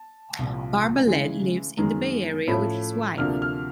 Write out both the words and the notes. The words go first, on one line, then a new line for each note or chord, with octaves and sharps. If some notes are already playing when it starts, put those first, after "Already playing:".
Barbalet lives in the Bay Area with his wife.
Already playing: A5
C2 A#2 F3
C#3 E3 G#3 G#5
F#2 D#3 G#3 B3 A#5
A2 F3 A3 C#4 B5
D2 C3 F3 A#3 D4 F6
F6